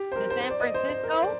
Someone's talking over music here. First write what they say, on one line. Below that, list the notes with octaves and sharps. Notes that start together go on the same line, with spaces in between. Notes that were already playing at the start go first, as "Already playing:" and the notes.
To San Francisco?
Already playing: G4
C5
A#4
C5
C5
D5
D#5
C5
C5
A#4
C5
D5